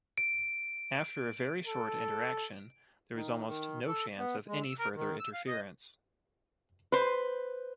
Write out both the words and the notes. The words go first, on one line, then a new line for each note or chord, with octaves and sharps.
After a very short interaction, there is almost no chance of any further interference.
D7
A4
D#3
D#3
A4
B3
G#3
E6
A#4
D#3
E6
F5
D#5
B4 C5